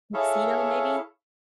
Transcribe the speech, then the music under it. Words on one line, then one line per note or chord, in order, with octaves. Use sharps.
Tuxedo, maybe?
E4 G#4 A4 C#5 E5 F5